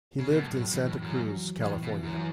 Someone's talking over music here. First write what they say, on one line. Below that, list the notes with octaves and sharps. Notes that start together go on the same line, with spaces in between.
He lived in Santa Cruz, California.
C#3
B2
A2 F#3
A2
B2 E3
A2
F#2 E3
F#3
A2 E3
B2
E3
F#2
E3